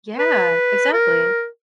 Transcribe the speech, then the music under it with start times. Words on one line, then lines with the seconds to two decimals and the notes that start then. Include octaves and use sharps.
Yeah, exactly.
0.19 B4
0.93 A#4